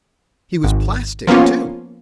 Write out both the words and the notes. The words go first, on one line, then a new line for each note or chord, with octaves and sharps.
He was plastic, too.
G#1
F3 A#3 B3 C#4 F4